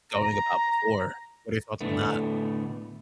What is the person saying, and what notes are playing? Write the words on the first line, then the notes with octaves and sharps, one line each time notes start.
going about before. What are your thoughts on that?
A#5
A2 D3 A3 B3